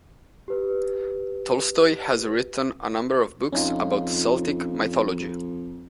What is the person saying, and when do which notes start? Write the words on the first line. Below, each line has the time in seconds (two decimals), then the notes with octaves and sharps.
Tolstoy has written a number of books about Celtic mythology.
0.48 G4 B4
3.53 F2 C#4 D#4 F4